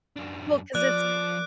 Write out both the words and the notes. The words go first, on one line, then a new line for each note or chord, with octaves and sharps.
Well, 'cause it's
F#2 D4
F3 D5 D6 F#6